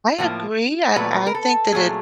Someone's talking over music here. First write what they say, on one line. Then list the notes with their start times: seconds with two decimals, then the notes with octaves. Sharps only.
I agree I I think that it
0.18 A2 F3 A#3
0.96 A#2 F#3 A3 B4
1.27 A#4
1.35 A4
1.72 A#2 F#3 A3 G#4